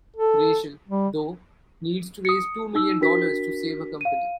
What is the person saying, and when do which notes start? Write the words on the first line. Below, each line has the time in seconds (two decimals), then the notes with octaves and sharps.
Rachel, though, needs to raise two million dollars to save her company.
0.16 A4
0.88 G3
2.25 D#6 C#7
2.75 D#4 E6
3.01 D4 F#4 A#4 B6
4.01 F5 D#7